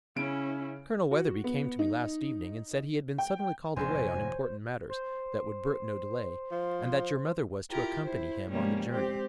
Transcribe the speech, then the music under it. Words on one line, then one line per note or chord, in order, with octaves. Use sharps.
Colonel Weatherby came to me last evening and said he had been suddenly called away on important matters that would brook no delay, and that your mother was to accompany him on the journey.
C#3 C#4 E4 D7
F#4
B3
D#4
G5
F1 E2 A#2 C5 C#5 G#5 C6
C5
F3
E4 F4 G4 A#4
E4 C5
B2 F3 G3 G#3 A#3 C#4
G#3 C4 G4